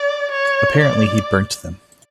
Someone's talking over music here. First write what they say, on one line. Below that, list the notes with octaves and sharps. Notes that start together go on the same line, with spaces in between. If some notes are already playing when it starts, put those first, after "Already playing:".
Apparently he burnt them.
Already playing: D5
C#5
D5